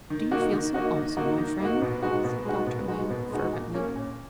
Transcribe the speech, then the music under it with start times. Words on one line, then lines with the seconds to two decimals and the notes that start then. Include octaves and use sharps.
"Do you feel so, also, my friend!" said Dr. Lamb, fervently.
0.10 D#3
0.31 A#3 D#4 F#4
0.53 D#3
0.74 A#3 D#4 F#4
0.96 D#3
1.17 A#3 D#4 F#4
1.38 D#3
1.60 A#3 D#4 F#4
1.81 B2
2.03 G#3 D#4 F#4
2.24 B2
2.45 G#3 D#4 F#4
2.67 B2
2.88 G#3 D#4 F#4
3.10 B2
3.31 G#3 D#4 F#4
3.53 A#2
3.74 A#3 C#4
3.95 A#2